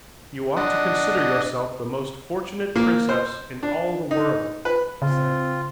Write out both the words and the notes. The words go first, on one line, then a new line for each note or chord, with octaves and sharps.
"You ought to consider yourself the most fortunate princess in all the world," he said.
D4 D#5 F#5
A#3
C5
D4
D#4
B4
C#3 C4 F4